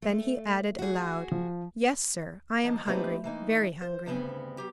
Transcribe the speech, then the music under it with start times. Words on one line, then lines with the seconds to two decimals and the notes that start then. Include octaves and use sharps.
Then he added aloud, "Yes, sir, I am hungry--very hungry."
0.02 A3
0.79 F#4 G#4
1.32 F3
2.63 D#3 F3 A#3 D#5
2.86 A3 A#3 C4 D#4 G4 B4
3.24 E3 A#3 D#4
3.82 C5
4.06 D2 G2 C#3 B3 C4 G#5
4.58 F#3 G4